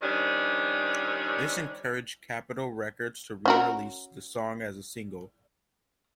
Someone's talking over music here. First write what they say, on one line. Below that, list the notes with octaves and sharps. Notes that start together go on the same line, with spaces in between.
This encouraged Capitol Records to re-release the song as a single.
D#3 F3 G3 C#4 D4
C#4 F#4 A#4